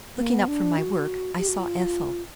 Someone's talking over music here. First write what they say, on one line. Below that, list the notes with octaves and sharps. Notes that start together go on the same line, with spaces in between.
Looking up from my work, I saw Ethel.
A#3
B3
D4
F#4
G4
F#4
F4